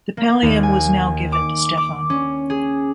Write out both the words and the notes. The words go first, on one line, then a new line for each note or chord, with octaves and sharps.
The pallium was now given to Stefan.
A#3
D#2
G#5
D6
D6
C#4
G#4